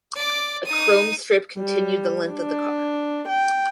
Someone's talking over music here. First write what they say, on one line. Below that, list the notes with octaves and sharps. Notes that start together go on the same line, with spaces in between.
A chrome strip continued the length of the car.
D5 D6
D#4 D#6
G3
D4
G5